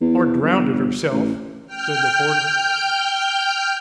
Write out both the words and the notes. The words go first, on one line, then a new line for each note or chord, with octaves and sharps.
"Or drownded herself," said the porter.
E2
G1
A1
G5 F6 G6